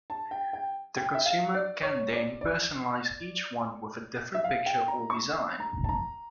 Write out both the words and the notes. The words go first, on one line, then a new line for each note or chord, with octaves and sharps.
The consumer can then personalize each one with a different picture or design.
A5
G5
G5
G5
E5
F5
D5
C#5
D5
D5
E5
F5
G5
A#5
C#6
A#5
A5
A#5